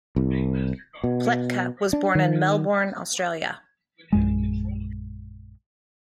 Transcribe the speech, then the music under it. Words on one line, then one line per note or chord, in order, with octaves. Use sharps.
Pletka was born in Melbourne, Australia.
C2
B2
D4
D#3
A#1 F#2 G#3